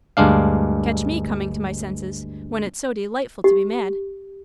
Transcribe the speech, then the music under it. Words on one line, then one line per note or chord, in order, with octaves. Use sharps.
Catch me coming to my senses, when it's so delightful to be mad.
D2 G2 G#3 D4 F5
G4